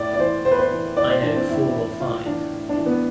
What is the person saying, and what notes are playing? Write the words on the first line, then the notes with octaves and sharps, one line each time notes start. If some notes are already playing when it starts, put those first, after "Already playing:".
I know four or five.
Already playing: A2 D5
D5
E3 C5
A2 C5
B4
C5
E3
A2 D5
C5
E3 D4
C4
A2 E4
E3
A2 F4
E3 D4
A2
D4
E3
B3